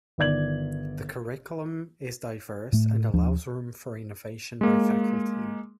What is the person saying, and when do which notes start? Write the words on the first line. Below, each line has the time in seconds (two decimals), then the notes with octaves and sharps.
The curriculum is diverse and allows room for innovation by faculty.
0.18 G1 D#3 D5 G#6 F#7
2.73 A2 A3
3.14 D#2 F3 D4
4.61 G#3 A#3